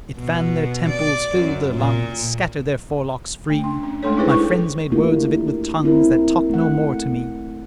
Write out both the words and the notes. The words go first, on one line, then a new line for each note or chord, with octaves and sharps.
It fanned their temples, filled their lungs, Scattered their forelocks free; My friends made words of it with tongues That talk no more to me.
B2
D5
F#2
A#2
A3
D4
C#4
G#3 A3 D4 A4 C#5
D#4 E4 G#4 B4 C5
E4 A4 G5 C#6
A3 A#3 D4 E4 F4 G4
C4 E4 A#4
A3 F#5